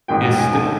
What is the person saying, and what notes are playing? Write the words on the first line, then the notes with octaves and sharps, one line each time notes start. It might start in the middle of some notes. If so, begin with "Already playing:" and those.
is still
A1 G#2 D#3 G5
G#5
A5